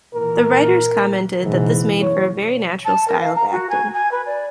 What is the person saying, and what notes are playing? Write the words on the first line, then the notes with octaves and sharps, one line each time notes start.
The writers commented that this made for a very natural style of acting.
A#2 E3 A#4
F#1 G#2 B2 E3
C#5
A5
A#4
F5
A#5
F#4
G#5
G#5
B4
D5